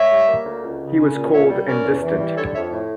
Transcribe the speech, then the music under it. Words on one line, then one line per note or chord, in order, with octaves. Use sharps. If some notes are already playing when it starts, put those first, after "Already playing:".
He was cold and distant.
Already playing: C#5 E5
G3
A#3
D2
C#2
C#3
C#4
A#2
C#2 C#5 E5
G3
C#4 A#4 D5
E2
E3
G3
D3 A4 C#5
F2 C#5 E5
A2